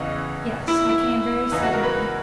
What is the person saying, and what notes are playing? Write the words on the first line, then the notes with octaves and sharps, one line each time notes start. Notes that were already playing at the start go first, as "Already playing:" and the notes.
"Yes, I came very suddenly."
Already playing: E2 C#3 E3 D#5
E4
E4
E2 C#3 E3 D#4
F#4
A#4
B4